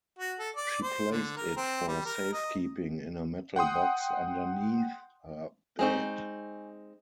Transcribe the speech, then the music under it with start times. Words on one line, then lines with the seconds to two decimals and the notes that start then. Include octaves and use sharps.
She placed it for safekeeping in a metal box underneath her bed.
0.19 F#4
0.39 A4
0.56 D5
0.82 C5
1.11 D3
1.36 A#4
1.57 C4
1.87 G3
2.05 A#4
2.33 D#5
3.56 F#5 G5 C6 D#6
5.79 G#3 C4 D#4 G#5 C#6